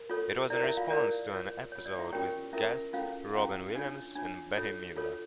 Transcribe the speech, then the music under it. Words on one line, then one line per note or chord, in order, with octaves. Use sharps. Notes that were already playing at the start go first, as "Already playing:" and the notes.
It was in response to an episode with guests Robin Williams and Bette Midler.
Already playing: A#4
F4 A4 C#5
E4 A#4 C#5 D5
E4 E5
F4 F5
E4 A#4 C#5 D5
F4 C#5
F4 C#5
D5
E4 E5
C#4 F4 G4 A#4 C#5 G5
C#4 E4 F4 A#4 C#5 E5
C#4 E4 F4 A4 C#5 F5
C#4 E4 F4 A4 C#5 F5
D4 F4 C#5
D4 F4 C#5
F4 A4 C#5
F4 A4 C#5